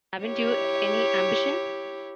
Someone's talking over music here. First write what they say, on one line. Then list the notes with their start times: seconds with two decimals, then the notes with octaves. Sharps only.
Haven't you any ambition?
0.24 E4 G4 C#5